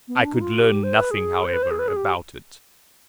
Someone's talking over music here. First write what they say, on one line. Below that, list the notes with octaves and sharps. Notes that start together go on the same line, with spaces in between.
I could learn nothing, however, about it.
B3
C4
D4
D#4
F4
G4
C5
B4
G#4
C5
B4
C5
G#4
B4
G#4
G4